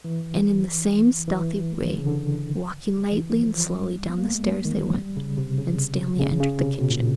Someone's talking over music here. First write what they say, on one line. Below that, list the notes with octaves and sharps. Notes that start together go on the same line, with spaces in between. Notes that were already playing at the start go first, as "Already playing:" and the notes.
And in the same stealthy way, walking lightly and slowly, down the stairs they went, and Stanley entered the kitchen.
E3
E3
D3
C#3
D3
E3
E3
F3
F3
G3
B3
A#3
A3
G#3
D#3
E3
F3
F#3
G3
C#3
C3
C#3
C#3
C#3
C3
B2
A#2